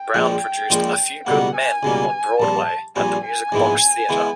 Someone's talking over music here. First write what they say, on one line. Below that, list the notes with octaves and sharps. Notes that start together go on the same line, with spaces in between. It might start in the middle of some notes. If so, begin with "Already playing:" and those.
Brown produced "A Few Good Men" on Broadway at the Music Box Theatre.
Already playing: G5
A#1 A#2 F3 G#3
A#1 A#2 F3 G#3
C#2 B2 G3 A#3 F#5
G#5
C#2 B2 G3 A#3
A#1 A#2 G3 C4 A5
A#1 A#2 G3 C4 G#5
G#5
A#1 G#2 E3 G#3 B3
E3 G#3 B3